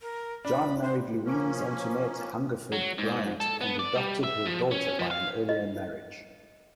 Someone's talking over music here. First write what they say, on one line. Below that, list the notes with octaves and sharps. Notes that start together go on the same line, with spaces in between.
John married Louise Antoinette Hungerford Bryant and adopted her daughter by an earlier marriage.
A#4
D4 B5
C5
F3 A#3 C#4
F#3
G#2
A4
B3
D5
G3
E5
F3
C#4
F3
F5
D#5